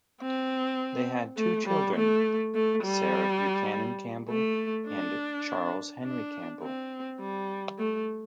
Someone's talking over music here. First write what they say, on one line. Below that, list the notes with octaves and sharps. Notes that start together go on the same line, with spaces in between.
They had two children: Sarah Buchanan Campbell, and Charles Henry Campbell.
C4
A3
G3
A3
A3
G3
A3
D4
D4
C4
G3
A3